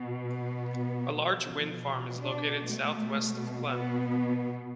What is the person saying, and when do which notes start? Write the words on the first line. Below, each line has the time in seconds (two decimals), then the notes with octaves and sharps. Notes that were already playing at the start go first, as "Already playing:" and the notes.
A large wind farm is located southwest of Klemme.
Already playing: B2
0.25 B3
1.22 B2 F3
2.20 D4
2.68 A3
3.16 B2
3.65 B3